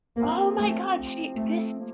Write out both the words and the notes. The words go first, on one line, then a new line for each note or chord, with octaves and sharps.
Oh my god, she this is
C3 F3 A#3 C4
A3
A3
C3 F3 A#3